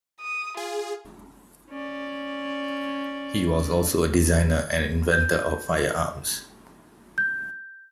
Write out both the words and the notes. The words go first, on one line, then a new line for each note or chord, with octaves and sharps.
He was also a designer and inventor of firearms.
D#6
F4 G#4
C#4 D5
G6
G6